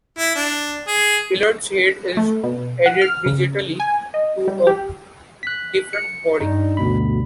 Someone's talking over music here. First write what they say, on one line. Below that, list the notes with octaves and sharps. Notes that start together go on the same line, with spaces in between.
Elliott's head is added digitally to a different body.
E4
D4
G#4
A3
B2
F#5
F6
C#3
G#5
D#5
G3
G4
F#6 B6
C#7
G2 D#4
D2 B2 B5